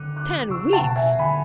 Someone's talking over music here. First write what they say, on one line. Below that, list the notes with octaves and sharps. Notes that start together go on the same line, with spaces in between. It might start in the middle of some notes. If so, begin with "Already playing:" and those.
"Ten weeks!"
Already playing: D3 D6 F#6
D6 F#6
C#3 C#6 E6
F#5 A5
B2
E5 G#5
D3 G#5 B5